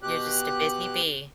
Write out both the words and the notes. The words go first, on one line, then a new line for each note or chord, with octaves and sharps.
You're just a busy bee.
B2 G4 F#6